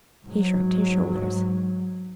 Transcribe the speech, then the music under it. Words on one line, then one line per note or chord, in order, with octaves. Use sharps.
He shrugged his shoulders.
G#2 F#3